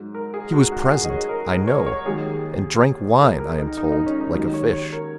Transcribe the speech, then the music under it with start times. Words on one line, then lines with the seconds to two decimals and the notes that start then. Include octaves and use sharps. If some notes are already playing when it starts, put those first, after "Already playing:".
"He was present, I know; and drank wine, I am told, like a fish."
Already playing: G#2 F#3
0.15 A#4
0.34 G#4
0.53 F#4
0.72 F#4
0.84 F#4
0.91 G#4
1.04 D#5
1.10 C#5
1.29 A#4
1.49 A#4
1.67 C#5
1.86 C#5
2.05 D#2 D#3 F#3 G#4
3.20 A#4
3.39 A#4
3.58 D#4
3.77 D#4
3.92 D#4
4.06 C#4
4.21 D#4
4.35 D#2 D#3 F#3 D#4
4.54 C#5
4.73 C#5
4.92 A#4